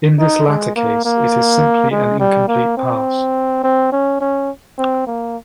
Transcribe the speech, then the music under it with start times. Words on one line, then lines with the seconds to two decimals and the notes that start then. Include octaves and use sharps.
In this latter case, it is simply an incomplete pass.
0.19 D#4
0.48 G#3
0.76 A#3
1.05 A#3
1.91 G#3
2.20 G3
2.48 A#3
2.77 C4
3.64 C4
3.92 C#4
4.21 C#4
4.78 C4
5.07 A#3